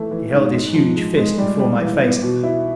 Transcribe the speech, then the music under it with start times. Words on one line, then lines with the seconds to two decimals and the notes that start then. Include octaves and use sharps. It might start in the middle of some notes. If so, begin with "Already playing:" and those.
He held his huge fist before my face.
Already playing: E3 A3
0.11 E3
0.33 G#2
0.53 G#3
0.74 F3
0.96 G#3
1.17 G#3
1.38 G3
1.59 G3
1.80 E3
2.01 B3
2.22 B2
2.43 E4